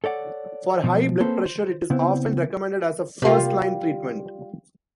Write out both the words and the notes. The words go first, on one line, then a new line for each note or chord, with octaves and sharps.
For high blood pressure it is often recommended as a first line treatment.
A4 C#5 D5 F#5
B2 F3
A#3 C4 C#4 A4 B4 C5
C5
C#3 B3 C4 E4
C3 G3 A#3 F4